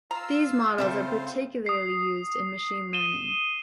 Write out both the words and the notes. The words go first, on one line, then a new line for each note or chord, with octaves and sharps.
These models are particularly used in machine learning.
F4 F5 A#5 E6 C7
C#3 C4 A4 C5 E5
D#6 C7
D#7 E7 G7